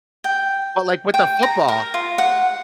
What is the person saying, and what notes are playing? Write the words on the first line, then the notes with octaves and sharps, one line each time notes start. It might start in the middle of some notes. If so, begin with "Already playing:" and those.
But like with the football
G5
G5
A#5
A#4
F4
F#5